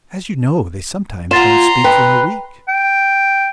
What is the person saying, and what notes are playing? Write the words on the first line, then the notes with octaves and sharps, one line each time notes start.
As you know, they sometimes don't speak for a week.
F4 F#5 A#5 C6 A6 E7
B4 G5
G5